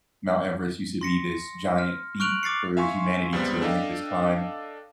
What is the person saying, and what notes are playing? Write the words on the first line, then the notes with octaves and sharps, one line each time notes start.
Mount Everest used to be this giant feat for humanity to make this climb,
C6 A#6 C#7
F6
C#6 F6 F#6 D7 F7 F#7
D6 A6 C7 C#7
E5 F5 G#5 C6 C#6
C#2 G3 B3 C4
D4 A4 D#5 F5 G5